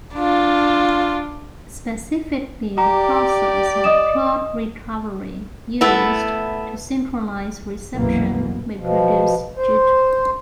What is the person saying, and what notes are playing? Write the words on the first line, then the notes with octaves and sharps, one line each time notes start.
Specifically the process of clock recovery used to synchronize reception may produce jitter.
D4 F4
G4 D5 A#5
D#5 D#6 E7
A3 B3 E4
C2 F#2 B2 E3 A#3 B3
B2 F3
C5